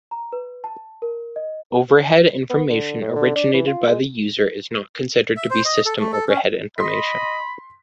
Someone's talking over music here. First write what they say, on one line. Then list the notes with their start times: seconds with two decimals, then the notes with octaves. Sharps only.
Overhead information originated by the user is not considered to be system overhead information.
0.11 A#5
0.33 B4
0.64 A5
1.02 A#4
1.36 D#5
2.50 B3
2.70 D3
3.01 A2
3.16 D3
3.36 D4
3.54 E3
3.67 F4
3.88 G#3
5.37 E5
5.50 C5
5.65 D#5
5.85 A4
5.99 A3
6.13 A4
6.28 C#4
6.78 D#5 B5 C6 B6